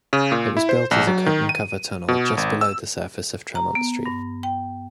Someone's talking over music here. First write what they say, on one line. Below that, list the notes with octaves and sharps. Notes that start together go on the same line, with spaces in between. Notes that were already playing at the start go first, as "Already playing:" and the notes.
It was built as a cut-and-cover tunnel just below the surface of Tremont Street.
C#3
A#2
E4
C5
A#1
F#3
D#3
D#7
B2
G#1
E6
A#5
B3
G2
G5